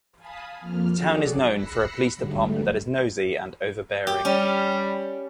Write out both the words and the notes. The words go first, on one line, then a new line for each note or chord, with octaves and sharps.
The town is known for a police department that is nosy and overbearing.
F5 G#5 A5 B5 D#6
F2 F3 A#3 F6
F#3 D4 F#4 G#4 A4 D5
B5 E6 F#6 A#6 C7 C#7
G#2 D3 F#3 G3 A3
G4
G3 C#4